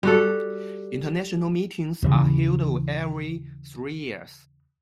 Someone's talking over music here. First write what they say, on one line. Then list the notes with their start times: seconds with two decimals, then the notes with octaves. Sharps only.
International meetings are held every three years.
0.03 G3 F#4 A4
2.02 D#2 C#3 E3